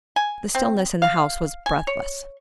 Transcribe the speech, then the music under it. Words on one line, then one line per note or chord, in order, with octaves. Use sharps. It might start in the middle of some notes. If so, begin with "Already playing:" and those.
The stillness in the house was breathless.
G#5
C4
F5
G#5
C#5